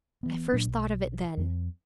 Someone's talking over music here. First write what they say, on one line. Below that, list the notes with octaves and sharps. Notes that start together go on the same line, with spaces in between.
I first thought of it then.
E3 B3
A#2 F#3 D4
B1
F2 G#3 C4